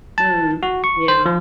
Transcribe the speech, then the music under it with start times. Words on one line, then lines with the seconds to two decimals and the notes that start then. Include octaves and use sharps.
Mm. Yeah.
0.18 A5
0.63 F#4
0.84 C#6
1.08 C5
1.26 F3